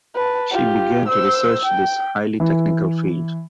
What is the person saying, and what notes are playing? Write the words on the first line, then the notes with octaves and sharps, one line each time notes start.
She began to research this highly technical field.
B4 A5
F4 G4
C5 E6
G5
E3